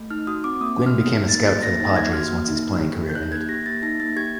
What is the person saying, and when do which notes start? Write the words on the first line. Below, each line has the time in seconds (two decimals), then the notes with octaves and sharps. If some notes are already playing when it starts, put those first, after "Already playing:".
Gwynn became a scout for the Padres once his playing career ended.
Already playing: A3
0.11 D#4 F6
0.27 F#4 D#6
0.44 C4 D6
0.61 A#3 D#6
0.78 F#4
0.86 F6
0.95 A#3
1.12 D#4
1.29 A#3 A6
1.45 F#4 A6
1.63 A#3 A#6
1.80 D#4 A6
1.96 A#3 G#6
2.13 F#4 F6
2.30 A#3
2.48 D#4
2.64 A#3
2.81 G4
2.98 A#3
3.10 G6
3.15 D#4 F#6
3.32 A#3 G#6
3.49 G4 A#6
3.66 A#3 A6
3.83 D#4 A#6
4.00 A#3 A6
4.16 G4 G#6